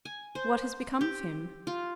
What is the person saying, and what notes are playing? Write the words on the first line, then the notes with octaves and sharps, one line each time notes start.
"What has become of him?"
G#5
C5
G4
F4